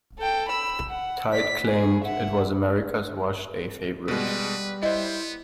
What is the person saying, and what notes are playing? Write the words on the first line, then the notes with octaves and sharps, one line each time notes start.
Tide claimed it was America's Washday Favorite.
A4 G5
B5 E6
F#5
D5 B6
G#4
E5 F#5
B2 G3 G#3 B4
B3 E4 C5 D#5